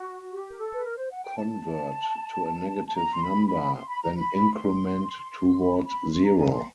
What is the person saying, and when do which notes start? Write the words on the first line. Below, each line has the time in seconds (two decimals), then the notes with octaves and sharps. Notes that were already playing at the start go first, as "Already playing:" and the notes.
Convert to a negative number, then increment toward zero.
Already playing: F#4
0.32 G4
0.50 A#4
0.58 A4
0.73 B4
0.84 A#4
0.97 C5
1.11 F#5
1.24 G5
1.37 A5
2.87 A5
2.95 A#5
3.13 C6
3.21 B5
3.47 B5
3.74 C6
3.88 B5
4.02 A#5
4.16 B5
4.53 C6
5.58 B5
5.84 B5
6.11 C6
6.24 A#5
6.37 G#5
6.50 C6